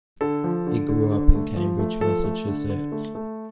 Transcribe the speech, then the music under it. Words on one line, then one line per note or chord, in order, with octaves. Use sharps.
He grew up in Cambridge, Massachusetts.
D3 A4
F3
D3
D3
D3
A3
F3
A3
F3 A4
A3
D3
D3
A3
A3